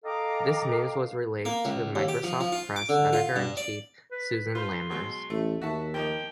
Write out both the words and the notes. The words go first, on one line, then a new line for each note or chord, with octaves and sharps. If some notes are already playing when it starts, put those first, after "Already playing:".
This news was relayed to Microsoft Press editor-in-chief "Susan Lammers".
A4 D#5 F5 G5 A#5 D6
A#3
C#2
D#2
G4
F3
F3
F4
D6
D3
F4
G2
D5
B4
F4 B4 C5 C6
B2 F#3 G#3
A1 A3
D#2 F#4 E5 A5
F3 A#3 D#4 G5